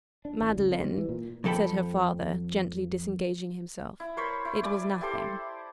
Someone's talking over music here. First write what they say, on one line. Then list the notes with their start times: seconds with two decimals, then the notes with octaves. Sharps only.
'Madeline,' said her father, gently disengaging himself, 'it was nothing.'
0.25 D4
0.41 A1
0.57 C#2
0.72 C4
0.83 G3
0.97 E3
1.09 A#2
1.44 F2 F3 A4 G5 B5
4.00 E4
4.17 A#4 C5 C#5 B5
4.45 E4
4.63 D5 G#5
5.01 E4 G4 A4 C5